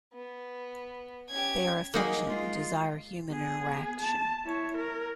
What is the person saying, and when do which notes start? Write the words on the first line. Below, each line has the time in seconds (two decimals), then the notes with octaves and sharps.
They are affectionate and desire human interaction.
0.13 B3
1.30 C#4 G4 G#6
1.94 F#3 A#3 D#4 G#4
2.28 G#3 F4
3.29 B3 G#4
4.00 A5
4.45 E4 C#5
4.77 A#4